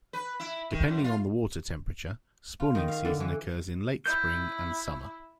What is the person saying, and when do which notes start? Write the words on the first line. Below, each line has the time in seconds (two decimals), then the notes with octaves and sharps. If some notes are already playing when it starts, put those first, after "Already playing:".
Depending on the water temperature, spawning season occurs in late spring and summer.
0.13 B4
0.40 E4
0.71 D#3
0.88 F#2
1.04 F4
2.60 F4
2.75 D#3
2.88 F5
3.05 D3
3.20 E3
4.06 E4 G6